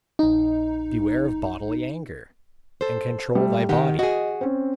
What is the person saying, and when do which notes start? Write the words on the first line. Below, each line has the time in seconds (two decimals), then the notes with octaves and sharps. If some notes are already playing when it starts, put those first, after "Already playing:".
Beware of bodily anger, and control thy body!
0.19 A#1 D#4
2.81 A4 C5
3.35 G3 A3
3.69 D#3 G4 F#5
3.99 F#4 G#4 D#5
4.41 C4 C#4